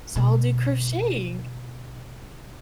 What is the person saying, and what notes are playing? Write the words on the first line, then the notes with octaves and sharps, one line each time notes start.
so I'll do crocheting."
B2 D3